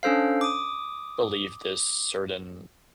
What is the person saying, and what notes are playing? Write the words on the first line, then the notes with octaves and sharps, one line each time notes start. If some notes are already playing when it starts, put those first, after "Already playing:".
believe this certain
C#4 D4 A4 C5 F5
D6 D#6